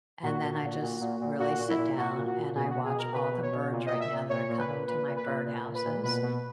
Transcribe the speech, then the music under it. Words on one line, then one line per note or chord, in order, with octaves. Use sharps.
and then I just really sit down, and I watch all the birds right now that are coming to my birdhouses,
A#2 F#4
A#2
A#2
A#2
A#2
A#2
A#2 F#4
A#2
E4
A#2
A#2 F#4
A#2
F#4
A#2
B2 G#4
F#4
B2
G#4
B2 A#4
B2 B4
B2
C#5
B2
A#2
A#2 D#5
E5
A#2
A#2 C#5
A#2
B4
A#2
A#2 B4
A#2
B4
A#2
A#2
A#2
B4
A#2
B2 B4
B2